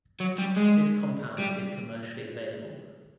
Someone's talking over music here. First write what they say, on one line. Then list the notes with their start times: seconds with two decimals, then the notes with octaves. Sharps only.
This compound is commercially available.
0.20 F#3
0.39 G3
0.57 G#3
1.38 G3